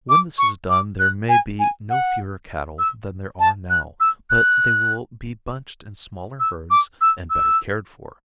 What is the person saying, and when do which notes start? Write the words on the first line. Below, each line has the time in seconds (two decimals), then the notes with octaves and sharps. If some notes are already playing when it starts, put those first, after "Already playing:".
When this is done there may be no fewer cattle than there are now but they will be bunched in smaller herds and better cared for.
0.09 D6
0.38 C#6
0.69 D6
0.99 F#6
1.28 G#5
1.59 G#5
1.90 F#5
2.79 E6
3.39 A5
3.70 F#6
4.00 E6
4.30 F#6
6.40 E6
6.70 D6
7.01 E6
7.30 E6